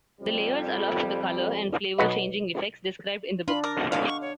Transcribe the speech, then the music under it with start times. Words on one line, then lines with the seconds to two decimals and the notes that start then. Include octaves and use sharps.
The layers allow for the colour and flavour changing effects described in the book.
0.19 F2 C3 G3
1.98 B1 F#4 B4 D#5
3.48 D4 F4 B5
3.64 A#4 D6
3.77 F#5
3.92 B2 D3 A4 F5
4.06 C#6
4.21 C#5